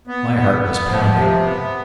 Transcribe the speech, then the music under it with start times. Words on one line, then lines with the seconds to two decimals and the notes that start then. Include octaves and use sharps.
My heart was pounding.
0.07 B3
0.35 B3
0.61 B3
0.88 F3
1.15 C3
1.43 B3